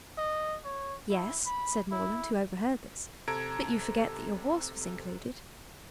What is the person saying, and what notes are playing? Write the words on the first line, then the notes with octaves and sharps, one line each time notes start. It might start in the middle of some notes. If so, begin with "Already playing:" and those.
"Yes," said Morland, who overheard this; "but you forget that your horse was included."
D#5
C#5
E4
B5
E4
C3 A4 A#5 G#6 D7